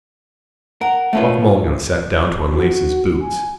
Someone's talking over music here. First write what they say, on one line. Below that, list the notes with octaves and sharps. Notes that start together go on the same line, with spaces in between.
Buck Mulligan sat down to unlace his boots.
A#4 F#5
A3 C#4 F4 B4 E5
F#4
G#5